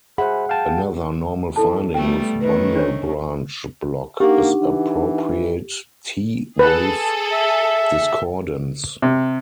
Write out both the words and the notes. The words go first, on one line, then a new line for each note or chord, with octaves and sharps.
Another normal finding with bundle branch block is appropriate T wave discordance.
G#4 C5 E5 F#5 B5
F5 G5 A5
F2 E4 A4 A5
G3 A3 B3 G5
D#3 A3 C#4 B4
D4 C5 C#5
A#3 D4 D#4 G4 F#5
E3
G#4 A4 B4
E5
C3